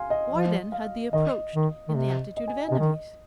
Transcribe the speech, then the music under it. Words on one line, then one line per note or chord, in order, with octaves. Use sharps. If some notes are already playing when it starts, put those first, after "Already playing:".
Why, then, had they approached in the attitude of enemies?
Already playing: F5 G#5 C6
D#5
F3
F5
D#3 D#5
D#3
D#3
C3
D#5
G#5
C3 D#5
D#3